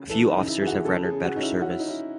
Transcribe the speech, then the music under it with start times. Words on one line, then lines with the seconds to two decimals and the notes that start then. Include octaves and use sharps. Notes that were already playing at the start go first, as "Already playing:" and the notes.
Few officers have rendered better service.
Already playing: C#3
0.10 E3 A4
0.29 D#4
0.36 C#3
0.41 D#4
0.48 E4
0.61 E3 G#4
0.67 F#4
0.85 C#3 A4
1.04 G#4
1.10 C#3
1.24 F#4
1.36 C#4 D#4
1.43 E4
1.60 C#4 F#4
1.70 E4
1.79 D#4
1.86 C#4 E4